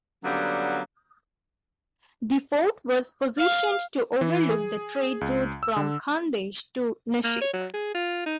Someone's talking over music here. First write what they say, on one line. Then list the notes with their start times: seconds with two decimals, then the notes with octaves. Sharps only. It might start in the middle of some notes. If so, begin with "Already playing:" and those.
The fort was positioned to overlook the trade route from Khandesh to Nashik.
0.25 D3 F#3 G3 A#3 B3 C#4
3.38 F5
4.21 E3
4.51 G#4
5.21 C#2
5.63 E6
5.76 D3
7.24 A#3
7.41 C#5
7.53 F#3
7.74 G#4
7.94 F4
8.26 D#4